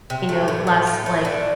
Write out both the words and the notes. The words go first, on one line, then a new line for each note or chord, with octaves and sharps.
you know, less, like,
C3
A3
A2
A3
A2
A3
D3